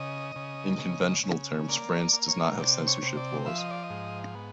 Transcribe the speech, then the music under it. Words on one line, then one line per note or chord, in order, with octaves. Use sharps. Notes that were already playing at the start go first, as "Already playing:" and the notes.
In conventional terms, France does not have censorship laws.
Already playing: C#3 D#5
C#3
C#3
C#3
A#3 D5
C#5
D5
A#3
C#5
C3 D5
C#5
C3
D5
F3 E5
D#5
D5
D#5
G#2
B3